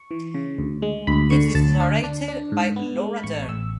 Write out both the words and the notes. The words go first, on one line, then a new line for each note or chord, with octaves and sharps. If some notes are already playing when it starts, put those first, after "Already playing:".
It is narrated by Laura Dern.
Already playing: C#6
E3
C#3
D2
G#3
D2 B5
D3 C#6
D2 A5
D4
D4
D4
G#2
B3
G#3
B5
A1 C#6
A1 E6